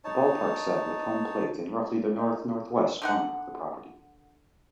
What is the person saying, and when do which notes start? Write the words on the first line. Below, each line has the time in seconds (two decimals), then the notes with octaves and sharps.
The ballpark sat with home plate in roughly the north-northwest corner of the property.
0.04 D#4 C#5 A5
2.18 D#4
3.02 D3 D#4 F#5